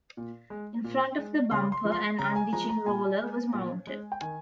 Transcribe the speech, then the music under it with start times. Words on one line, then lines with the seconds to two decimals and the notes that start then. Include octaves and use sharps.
In front of the bumper an unditching roller was mounted.
0.17 A#2
0.50 G#3
0.84 A#2
1.18 G#3
1.51 C#3 C6
1.72 C6
1.85 F3 G#3
1.92 C6
2.19 C#3 A#5
2.36 G#5
2.53 F3 G#3 A#5
2.69 A#5
2.86 A#2 G#5
3.20 G#3
3.54 A#2
3.87 G#3
4.12 G5
4.21 D#3 G#5